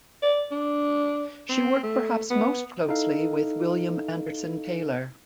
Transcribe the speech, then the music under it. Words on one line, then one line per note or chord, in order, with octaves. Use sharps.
She worked perhaps most closely with William Anderson Taylor.
D5
D4
C4
A3
B3
D#4 E4 A4 F5